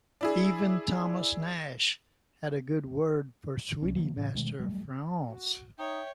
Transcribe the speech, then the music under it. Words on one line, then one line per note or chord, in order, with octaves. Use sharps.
Even Thomas Nashe had a good word for "sweete Master Fraunce".
D4 E4 G#4
C2 C#4
D#3 F3 F#3 A#3
A2 C#3 E3
B2 D#3 G#3 A3
F#3 G3 A3
F#4
D#4 C#5 E5 G5